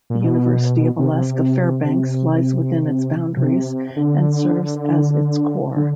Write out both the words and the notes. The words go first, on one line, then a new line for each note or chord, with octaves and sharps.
The University of Alaska Fairbanks lies within its boundaries and serves as its core.
A#2
B2
C3
C3
D3
D3